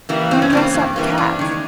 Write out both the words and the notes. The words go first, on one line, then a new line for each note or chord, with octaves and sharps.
"You dress up cats."
E3 G3 A#3
G2 C4
C#4
E3 G3 A#3 C4
G2
E3 G3 A#3
G2 D4
D#3 G#3